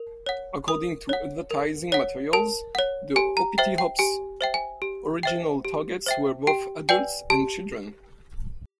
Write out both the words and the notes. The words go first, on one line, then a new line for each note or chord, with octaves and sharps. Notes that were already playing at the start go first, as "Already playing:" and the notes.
According to advertising materials, the Hoppity Hop's original targets were both adults and children.
Already playing: A#4
C#5 F#5
A#4 D#6
C#5 F#5
A#4
C#5 F#5
A#4 A5
C#5 F#5
G4 G#5
A#5
C5 E5 G5
G5
G4 G#5
C5 E5 G5
G#5
G4
C5 E5 G5
G4
C5 E5 G5
G4 G5
B4 D5 G5 G#5
G4 A5